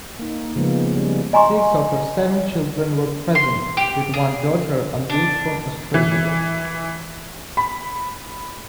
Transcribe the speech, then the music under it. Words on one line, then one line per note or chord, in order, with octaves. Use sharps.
Six of her seven children were present, with one daughter en route from Australia.
A#3 D#4
C#3 F3 G#3 A#3 B3
G3 C#4
D#5 G#5 A#5 C6 C#6
C6
G4
G#4
D4
E3
B5